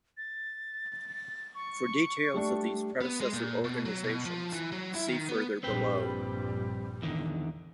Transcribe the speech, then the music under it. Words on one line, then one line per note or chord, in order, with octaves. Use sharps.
For details of these predecessor organizations, see further below.
A6
C#6
G3 A3 D4
B3
G#3
A#2
B2
F#3
B2
F3
E3
F#3
E4
D#3
B3
A#1 G2 G3 C4 B4 G5
E2 D3 D#3